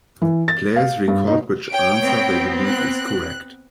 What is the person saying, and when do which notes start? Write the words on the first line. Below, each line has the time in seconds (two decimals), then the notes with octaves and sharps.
Players record which answer they believe is correct.
0.22 E3
0.48 A6
0.76 F5
1.08 G2
1.27 D#4
1.71 C#5 G5 D7
1.99 B3 C4
2.67 F#6